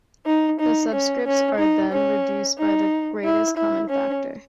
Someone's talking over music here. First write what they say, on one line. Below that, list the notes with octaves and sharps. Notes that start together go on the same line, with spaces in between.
The subscripts are then reduced by the greatest common factor.
D#4
D#4
C#4
C#4
D#4
C#4
D#4
E4
E4
C#4